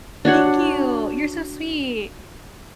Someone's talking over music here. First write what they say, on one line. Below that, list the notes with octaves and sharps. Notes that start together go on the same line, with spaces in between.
Thank you. You're so sweet.
D4 F#4 C#5 F#5